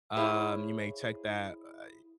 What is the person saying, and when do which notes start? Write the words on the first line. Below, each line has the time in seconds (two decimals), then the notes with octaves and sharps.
um, you may check that, uh,
0.16 E4 G#4 C5 C#5 E5 F5